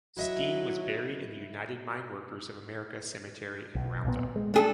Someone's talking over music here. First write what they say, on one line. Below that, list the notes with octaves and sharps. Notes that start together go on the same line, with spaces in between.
Steen was buried in the United Mine Workers of America Cemetery in Roundup.
F#3 E4 D#5 E5
B1
D#1 A#2 B3
G#3
A3 D4 G#4 A4